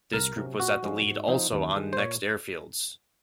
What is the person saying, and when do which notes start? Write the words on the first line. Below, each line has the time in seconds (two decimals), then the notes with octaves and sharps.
This group was at the lead also on next airfields.
0.13 C2 A#4
0.36 C3 F#3 C#4
0.59 A#2 F#4
0.83 F3 G#3 C#4
1.06 G#2
1.28 F3 C4 D#4
1.52 D#2
1.75 D#3 G#3
1.93 C5
1.98 A#2 C#5